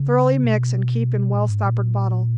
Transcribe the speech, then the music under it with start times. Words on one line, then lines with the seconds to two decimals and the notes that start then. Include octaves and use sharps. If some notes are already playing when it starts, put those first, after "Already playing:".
Thoroughly mix and keep in well stoppered bottle.
Already playing: C#3
0.44 B2
1.34 A#2
1.49 G#2
1.65 A#2